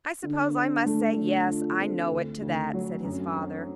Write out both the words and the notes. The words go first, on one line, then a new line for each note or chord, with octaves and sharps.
"I suppose I must say 'yes, I know it' to that," said his father.
D3
D4
A3
D3
F4
C4
D2
D2
F#3
F#2
C4